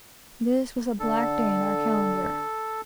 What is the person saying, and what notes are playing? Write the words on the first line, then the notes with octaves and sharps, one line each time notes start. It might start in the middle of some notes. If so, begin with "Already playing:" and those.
This was a black day in our calendar.
D3 A4